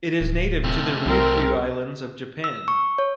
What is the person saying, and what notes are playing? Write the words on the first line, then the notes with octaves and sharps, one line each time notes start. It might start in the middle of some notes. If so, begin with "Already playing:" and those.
It is native to the Ryukyu Islands of Japan.
D1
C3 A3
C2 C4 A#4
E6
C#6
C#5